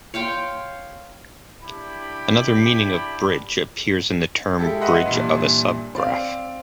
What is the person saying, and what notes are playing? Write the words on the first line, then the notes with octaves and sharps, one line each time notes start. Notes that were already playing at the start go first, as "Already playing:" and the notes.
Another meaning of "bridge" appears in the term bridge of a subgraph.
C#5 F5 G5 C6
D4 E4 G4 B5
G#3 E4 G4 A4
B4 D#5 E5 F#5 C6
G2 A#2 E3
C4 D5 F5